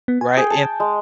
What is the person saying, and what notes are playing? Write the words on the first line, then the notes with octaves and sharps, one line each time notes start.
right? And
B3
G#5
G#4 G5
A5
G#3